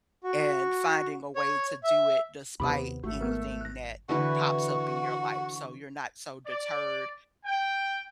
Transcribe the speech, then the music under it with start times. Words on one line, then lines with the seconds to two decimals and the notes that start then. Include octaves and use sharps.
and finding a way to do it despite anything that pops up in your life, so you're not so deterred
0.24 F#4
1.36 C#5
1.84 E5
2.60 D#2 C3 B3 B5 D6 D#6
3.04 G#1 A3 F#4
3.21 B3 A#4
3.61 F#6 A#6
4.09 D3 E3 F#4 B4 C#6
6.47 D5
7.45 G5